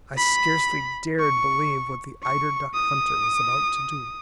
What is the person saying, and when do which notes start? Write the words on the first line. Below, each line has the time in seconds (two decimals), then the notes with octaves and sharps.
I scarcely dared believe what the eider-duck hunter was about to do.
0.17 B5
1.19 C#6
2.23 C#6
2.74 D#6